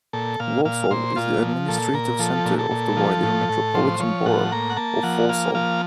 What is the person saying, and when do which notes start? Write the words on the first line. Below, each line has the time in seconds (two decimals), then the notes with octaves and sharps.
Walsall is the administrative centre of the wider Metropolitan Borough of Walsall.
0.13 A#2 A4
0.40 A#2 F5
0.65 A#2 F5
0.90 A#2 C5
1.16 A#2 F4
1.43 F3
1.68 A#2 A4
1.93 A#2 A#4
2.19 F3 A4
2.45 A#2
2.59 A4
2.71 A#2
2.97 F3
3.23 A2
3.49 A2
3.74 F3 C5
3.99 F3 C#5
4.25 A2 F#5
4.52 A#3 A#5
4.70 F#5
4.77 A#3 A5
5.03 F3 F#5
5.29 A#3 F5
5.55 F3 F5